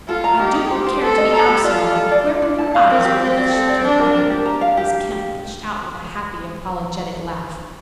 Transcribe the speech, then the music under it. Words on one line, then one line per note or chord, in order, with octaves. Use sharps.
"I do not care to be Absalomed; where were your eyes, Ruth?" she complained, as Kemp pushed out with a happy, apologetic laugh.
F4 A4
A#5
D#4 G4
D#4
C5
C5
A4 C5
D#5
A4 A#5
G4
F4 D5
A4
A4
D5
D4
D4
A5
F5
C4 A#4
G4
C4 G4
D5
A4
D5
D4 D5
A#4
A#4
G4
A#5
F5
G4